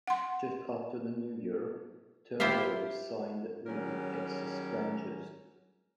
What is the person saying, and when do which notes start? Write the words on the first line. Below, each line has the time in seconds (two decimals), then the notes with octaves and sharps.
Just after the New Year, Turnbow signed with the Texas Rangers.
0.07 F#5 C6
2.40 E4 F4 G4 C5 E5 F5
3.67 D#3 F#3 G3 C#4 G#4 A#4